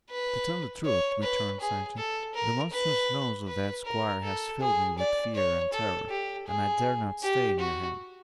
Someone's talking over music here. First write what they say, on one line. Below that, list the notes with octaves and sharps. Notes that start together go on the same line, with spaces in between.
"To tell the truth," returned Sancho, "the monstrous nose of that squire has filled me with fear and terror, and I dare not stay near him."
B4
C#5
B4
G#4
A4
A#4
B4
B4
A#4
A4
G#4
D5
C#5
A4
G4
G#4
G4
F#4